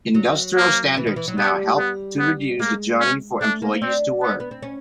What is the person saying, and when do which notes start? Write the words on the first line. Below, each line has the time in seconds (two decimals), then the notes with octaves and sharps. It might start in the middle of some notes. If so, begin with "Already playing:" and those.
Industrial standards now help to reduce the journey for employees to work.
0.15 F#3
0.56 A#3
0.97 E3
1.07 D#3
1.16 E3
1.28 F#3
1.38 G3 B3
1.78 B3
2.19 B3
2.59 G#3 A#3
3.00 C#4
3.41 A3 D4
3.62 A#3
3.82 C4 D4
4.22 B3
4.40 B3
4.51 C4
4.62 C#4